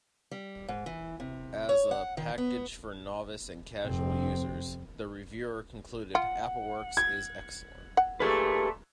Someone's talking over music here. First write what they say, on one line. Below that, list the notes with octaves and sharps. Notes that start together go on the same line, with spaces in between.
As a package for novice and casual users, the reviewer concluded, "Appleworks is excellent".
G3
G#2
E3
C3
C#5
F#5
D#3
B3
F1 C4
F4 F#5
G#6
F#5
A#2 A3 G4 G#4 B4